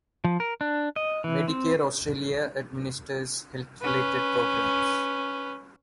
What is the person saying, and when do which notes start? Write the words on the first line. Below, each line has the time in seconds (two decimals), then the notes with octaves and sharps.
Medicare Australia administers health-related programs.
0.24 F3
0.40 A#4
0.61 D4
0.96 D#5
1.24 E3
1.48 C4
3.81 C#4 B4